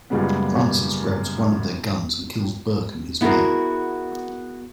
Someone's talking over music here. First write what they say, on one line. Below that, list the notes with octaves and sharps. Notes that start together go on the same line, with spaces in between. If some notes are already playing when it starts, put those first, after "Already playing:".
Francis grabs one of their guns, and kills Burke and his men.
F#2 A#2 C#3 G3 G#3 B3
B3 E4 F#4 G#4 A#4